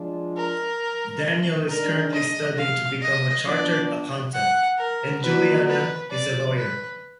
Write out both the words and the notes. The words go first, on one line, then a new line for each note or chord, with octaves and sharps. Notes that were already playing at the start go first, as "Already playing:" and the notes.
Daniel is currently studying to become a chartered accountant and Julianna is a lawyer.
Already playing: F3 G#3 D4 F4
A#4
D#3 G#3 D4 A#4
D#5
F5
D#5
F3 B3 D4 D5
F#5
A#4
A#2 F#3 B3 D4 F#4 B4
B4
D5
B4